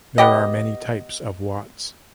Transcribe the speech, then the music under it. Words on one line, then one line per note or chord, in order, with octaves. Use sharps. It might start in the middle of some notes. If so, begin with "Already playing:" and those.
There are many types of wats.
B3 G4 D#5